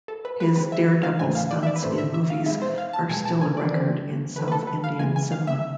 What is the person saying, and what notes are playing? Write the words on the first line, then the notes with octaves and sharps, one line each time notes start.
His dare-devil stunts in movies are still a record in South Indian cinema.
A4
B4
B4
D3 G#3 C4 B4
E5
F5
A2 E3 A3 C4 G#5
F5
D5
E5
D5
B4
A2 E3 A3 C4 C5
E5
E5
F5
B2 G#3 B3 E5
C5
F5
A5
B2 G#3 B3 G#5
A5
G#5
D5
E3 A3 C4
E3 A3 C4 B4
B4
A4
B4
F5
E3 G#3 B3 G#5
G#5
F5
E5